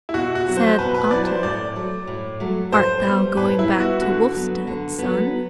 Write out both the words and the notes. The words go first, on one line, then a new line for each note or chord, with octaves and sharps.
Said Otter, "Art thou going back to Wolfstead, son?"
E4
B2 F#4
F#4
F#3 C4 E4
C5
B2 B4
B4
F#3 C4 E4 D5
C5
A2 D5
F#3 A3
A2
F#3 A3
A2 C5
G3 B3
A2 B4
E4
G3 B3
F#4
D3 F#4
F#3 B3
D3
F#3 B3